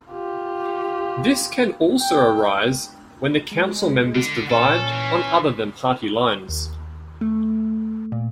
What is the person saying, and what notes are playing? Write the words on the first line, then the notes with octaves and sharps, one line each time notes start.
This can also arise when the council members divide on other than party lines.
F4 G4
G5
G#3
D3
A#2 C#4 A4
E3
D#2
A3
A#2